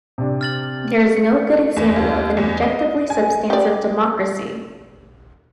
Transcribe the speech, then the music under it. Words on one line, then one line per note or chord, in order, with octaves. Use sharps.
There is no good example of an objectively substantive democracy.
C3 D4
F6 A6 F#7
C#7
A3
E2
D#2
E2
D#5
G#5
G4 D5